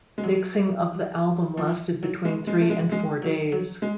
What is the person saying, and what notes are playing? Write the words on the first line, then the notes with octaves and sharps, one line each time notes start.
Mixing of the album lasted between three and four days.
G#3
F#3
F3
F#3
G#3
G#3
A3
G#3
G#3
F#3
F#3
G#3